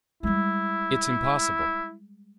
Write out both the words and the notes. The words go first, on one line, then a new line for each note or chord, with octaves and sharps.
"It's impossible!"
G3 G#3 E4